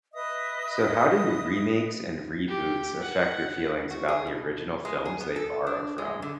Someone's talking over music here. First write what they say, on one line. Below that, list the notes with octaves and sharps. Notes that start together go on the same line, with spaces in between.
So how do remakes and reboots affect your feelings about the original films they borrow from?
B4 D#5 E5 D#6
G4
F#5
F#4
G#4
B2
G#3
G#4
B3
A4
D4
G#3
D3